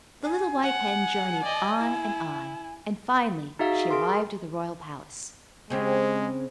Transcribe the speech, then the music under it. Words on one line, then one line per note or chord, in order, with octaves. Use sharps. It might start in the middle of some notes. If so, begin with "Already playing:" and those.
The little white hen journeyed on and on, and finally she arrived at the royal palace.
G#5
F#5
D5 D#5
E4
D#4 F#4 G#4 E5 F5
G#4 A#4 C6
C#3 G#3 C4 G4